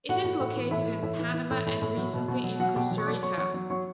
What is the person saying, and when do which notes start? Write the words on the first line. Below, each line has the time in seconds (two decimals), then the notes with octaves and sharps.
It is located in panama and recently in Costa Rica.
0.09 A2 F#4 F#5
0.24 A2
0.40 A2
0.56 E3
0.71 A2 E4 E5
0.87 E3
1.02 A2 E4 E5
1.19 E3
1.34 E3
1.50 A2
1.66 A2
1.82 A2
1.97 F#3
2.13 B2
2.28 B2
2.44 F#3
2.60 F#3 F#4 F#5
2.75 B2 G4 G5
2.91 F#3
2.98 C#6
3.07 F#3 D5 D6
3.22 F#3 C#5 C#6
3.38 F#3 C#5 C#6
3.54 F#3
3.70 F#3 C#5 C#6